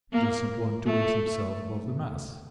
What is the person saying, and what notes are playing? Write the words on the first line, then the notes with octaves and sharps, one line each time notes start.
He does not want to raise himself above the mass.
A#3
A3